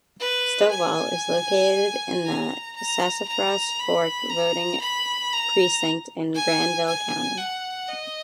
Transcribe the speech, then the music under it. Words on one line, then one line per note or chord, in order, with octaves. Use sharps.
Stovall is located in the Sassafras Fork voting precinct in Granville County.
B4
G#5
A#5
A#5
A#5
B5
A#5
B5
A#5
G#5
G#5
F#5
D#5